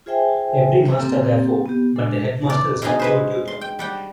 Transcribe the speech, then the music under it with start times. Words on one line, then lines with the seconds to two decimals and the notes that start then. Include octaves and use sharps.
Every master therefore but the headmaster is also a tutor.
0.06 F4 G#4 C5 E5 G5 G#5
0.99 A#3 C4 G4 A4
1.66 B3 G4
1.96 G#3 D4 A4
2.50 D5
2.82 B2 D3 B3 D#4 G#4
2.99 G#3 B4 C5
3.48 C6
3.61 G5
3.79 G3 F#5 G5